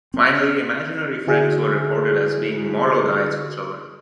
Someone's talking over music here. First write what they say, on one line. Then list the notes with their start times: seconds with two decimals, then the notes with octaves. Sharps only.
Finally, imaginary friends were reported as being moral guides for children.
0.14 C4
1.27 D3 E4 F#4 G#4